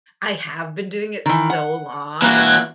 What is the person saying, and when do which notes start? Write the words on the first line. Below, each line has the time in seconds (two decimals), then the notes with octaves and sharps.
I have been doing it so long,
1.26 D#3 E3
1.50 F#5
2.22 E3 A#3 F#4